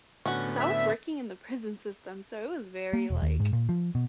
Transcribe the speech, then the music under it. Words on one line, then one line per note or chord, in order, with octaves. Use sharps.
'cause I was working in the prison system, so it was very, like,
A2 D3 B3 C#4 F#4
E5
A#3
E1
D#2
G#2
A#2
F3
B2